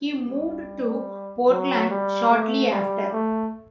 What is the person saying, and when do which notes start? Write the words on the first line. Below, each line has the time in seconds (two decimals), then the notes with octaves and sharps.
He moved to Portland shortly after.
0.25 G3
1.49 F#3
1.89 G3
2.30 A3
2.71 G3
3.12 A3